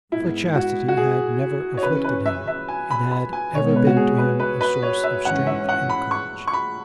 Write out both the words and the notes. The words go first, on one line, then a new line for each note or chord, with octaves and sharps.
For chastity had never afflicted him; it had ever been to him a source of strength and courage.
G#2 G#3 B3 E4
F#4
F#4
G#4
C#5
C#3 E3 C#4 B4
B4
E5
E5
G#5
B5
B5
G#5
B2 G#3 B3 C#5
B4
F#4
G#4
B4
B4
B4
C#5
E5
G#2 E3 C#4 F#5
E5
F#5
B5
C#6
C#6
B5